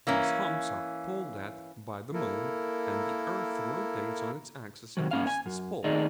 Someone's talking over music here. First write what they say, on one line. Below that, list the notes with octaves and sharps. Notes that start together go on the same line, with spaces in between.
These humps are pulled at by the moon, and the earth rotates on its axis against this pull.
E3 A#3 C#4
A#3 E4 A4 A#4
C3 D#3 F#3
A#3 C#4 F5
G#5
F#2
D#3 A3 D#4 G#4 D5 D#5